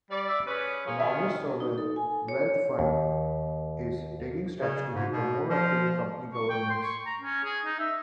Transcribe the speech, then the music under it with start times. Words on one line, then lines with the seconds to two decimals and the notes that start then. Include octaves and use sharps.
Norway's sovereign wealth fund is taking steps to become more active in company governance.
0.10 G3 D5
0.28 E5
0.47 C#4 G#4 B4
0.87 F3 A#3 C#4 G#4
0.99 D#3 E5
1.60 D#4
1.78 A4
1.96 G#5
2.28 C#5
2.79 D#2
4.58 C#3
4.94 G#2
5.12 B2
5.49 F3
6.34 C#6
6.50 G5
6.70 C6
6.83 C#6
7.06 A#5
7.21 C#4
7.44 G#4
7.65 D#4
7.79 E5